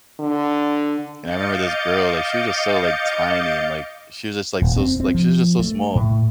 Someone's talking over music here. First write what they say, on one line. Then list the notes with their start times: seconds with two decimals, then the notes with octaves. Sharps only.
and I remember this girl, like, she was just so, like, tiny, and, like, she was just, like, so s like she's just so small,
0.20 D3
1.21 D#5 F5 D6 G6 A6 C#7
4.61 D#1
4.76 C4
5.00 C4
5.15 F3
5.59 A3
5.95 A2